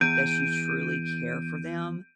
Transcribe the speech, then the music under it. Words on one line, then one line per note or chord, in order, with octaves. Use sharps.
that you truly care for them
E2 G6 D7 D#7